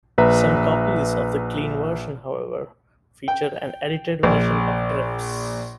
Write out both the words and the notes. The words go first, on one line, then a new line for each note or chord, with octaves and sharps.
Some copies of the clean version, however, feature an edited version of Drips.
A#1 B4 E5 A#5
G5
A#1